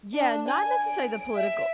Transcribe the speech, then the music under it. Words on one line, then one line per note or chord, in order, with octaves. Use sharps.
Yeah, not necessarily the political.
D4
G#5
D7
E5